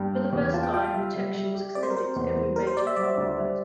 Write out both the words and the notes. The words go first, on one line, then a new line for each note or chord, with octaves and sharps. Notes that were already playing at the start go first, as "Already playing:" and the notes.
For the first time protection was extended to every major farm product.
Already playing: G2 G5
A#3
E2
F4 A5
G5
F4 G5
F5
G3 E5
G3
G3
G4
C4 D5
C5
A#4
C4 C5
E2
E3
A#3 A#4
C5
G4 D5
E5
G3 D5
D2
G3